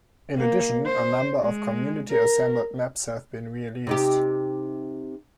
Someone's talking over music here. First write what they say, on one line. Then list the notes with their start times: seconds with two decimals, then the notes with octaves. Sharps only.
In addition, a number of community assembled maps have been released.
0.38 A#3
0.86 C5
1.42 G#3
2.11 A#4
3.87 C3 D#4 G4